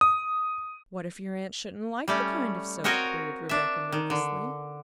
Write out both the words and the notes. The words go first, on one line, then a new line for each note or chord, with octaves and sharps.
"What if your aunt shouldn't like the kind of soap?" queried Rebecca nervously.
D#6
G3 A3 C#4
C4 F#4 A#4 C#5 D#5 F5
D4 E5
D#3
D3